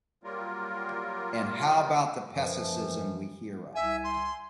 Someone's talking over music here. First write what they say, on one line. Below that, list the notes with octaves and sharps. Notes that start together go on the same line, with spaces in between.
And how about this pessimism we hear of?
F#3 G3 A#3 F4 A#4
F#2 E3 F3
C2 E5 G#5
C6